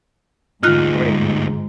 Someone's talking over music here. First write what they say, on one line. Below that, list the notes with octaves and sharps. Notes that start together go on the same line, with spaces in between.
I mean,
D2 G#2 D#4 F4 F#6